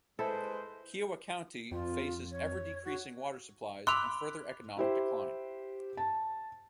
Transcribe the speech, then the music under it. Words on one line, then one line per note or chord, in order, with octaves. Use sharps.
Kiowa County faces ever-decreasing water supplies and further economic decline.
G#3 E4 A4 B4 C5
F2 F4
C#5
F#4
B5 C6 D6 E6 F#6 F7
E4 G4 C5
A5